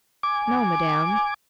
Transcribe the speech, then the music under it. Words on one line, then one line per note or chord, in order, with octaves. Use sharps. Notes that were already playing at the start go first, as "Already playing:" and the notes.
"No, Madame."
G#5 D6